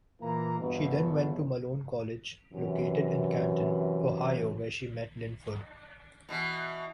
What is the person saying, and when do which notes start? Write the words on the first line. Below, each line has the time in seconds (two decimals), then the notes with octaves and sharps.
She then went to Malone College, located in Canton, Ohio, where she met Linford.
0.22 A#2 E3 A#3 A#5
0.60 G1 E2 B2
2.53 F#2 C3 E3
6.29 B2 E3